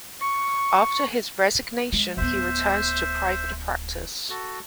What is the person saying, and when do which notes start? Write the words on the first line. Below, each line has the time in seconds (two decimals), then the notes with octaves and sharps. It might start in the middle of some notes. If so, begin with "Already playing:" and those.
After his resignation, he returned to private practice.
0.21 C#6
1.93 G#3
2.17 D1 B3 C5 E5
4.30 F#4 A4